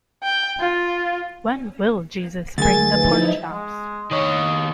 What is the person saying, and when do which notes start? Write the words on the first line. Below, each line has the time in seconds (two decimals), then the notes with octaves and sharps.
When Will Jesus Bring the Pork Chops?
0.23 G5
0.60 F4
2.58 D2 F#3 G#4 A#4 G#5 A6
2.92 F3 D#4 E4 B4
3.52 G#3
4.11 D#3 C#5 D#5